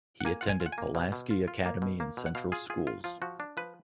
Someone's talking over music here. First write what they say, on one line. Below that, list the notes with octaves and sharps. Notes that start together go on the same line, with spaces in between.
He attended Pulaski Academy and Central Schools.
F#5
A#3 G#5
F4 F#5
G#5
F4
F#5
G#5
A#3
B2
B2
F4
F4
A#3
B2
A#3
B2
F#5
B2 F5
F4 G#4
F4 G#4
F4
F3 F4
F3 F#4
D4
F3 B4